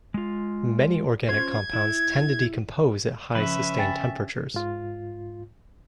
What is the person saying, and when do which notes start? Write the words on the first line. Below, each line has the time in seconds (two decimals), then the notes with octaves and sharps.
Many organic compounds tend to decompose at high sustained temperatures.
0.14 G#3 F4
1.29 C#4 F4 C5 G#6
1.73 E4
3.35 C#3 F3 C#4 B4 E5
3.79 G5 G#5 A6
4.54 G#2 F4